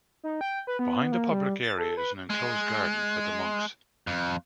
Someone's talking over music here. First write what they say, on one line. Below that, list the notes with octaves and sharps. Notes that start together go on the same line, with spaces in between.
Behind the public area is an enclosed garden for the monks.
D#4
G5
B4
B3
A#3
G3
A6
A4
B4
G#3
F2